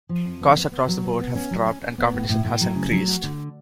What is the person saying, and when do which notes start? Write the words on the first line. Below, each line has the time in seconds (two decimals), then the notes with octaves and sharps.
Costs across the board have dropped, and competition has increased.
0.09 F3
0.25 F2
0.41 B3
0.57 B3
0.72 B3
0.88 F#3
1.03 B3
1.20 B3
1.35 C#4
1.51 F#3
1.66 C#4
1.82 C#4
1.98 B3
2.14 A2
2.29 A2
2.45 A2
2.61 F#3
2.76 C#3
2.92 F#3
3.08 F#4
3.24 D3